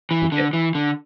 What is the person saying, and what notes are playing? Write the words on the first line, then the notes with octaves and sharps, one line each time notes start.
And get
E3
D3
E3
D3